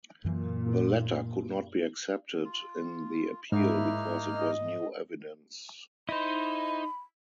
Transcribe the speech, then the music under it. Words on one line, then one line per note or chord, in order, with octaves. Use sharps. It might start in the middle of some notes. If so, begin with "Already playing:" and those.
The letter could not be accepted in the appeal, because it was new evidence.
F#2 A#2 E3 F#3
F4
G#2 A#3 D#4 E4 F6
D#5
D#4 E4 C5 D#5 B5